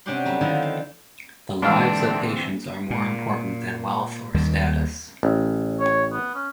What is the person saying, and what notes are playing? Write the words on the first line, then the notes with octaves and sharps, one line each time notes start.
The lives of patients are more important than wealth or status.
C3 C#4 D4 G4 F#5 C6
F#3 G3 A3
D3 D#3 F3 E4 F4 A4
F5
G#2 D3 E3 C4 D4 F5 E6
A#2
D#2 D#3 G3
A1
C#5
B3
C#4